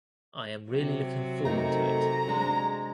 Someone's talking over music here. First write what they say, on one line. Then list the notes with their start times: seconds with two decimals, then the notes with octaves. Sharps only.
I am really looking forward to it.
0.69 C3 F#3 F#4
1.45 A3 D#4 A#4 A#5
2.28 G#3 D4 C5